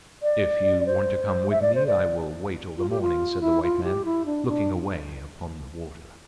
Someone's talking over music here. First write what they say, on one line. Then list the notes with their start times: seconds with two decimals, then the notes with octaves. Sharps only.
"If you want to come with me, I will wait all the morning," said the white man, looking away upon the water.
0.23 D5
0.86 C5
1.51 E5
1.62 D5
1.75 C5
1.87 D5
2.77 F4
2.90 G4
3.01 F4
3.41 E4
3.63 F4
3.84 G4
4.05 E4
4.26 D4
4.48 D4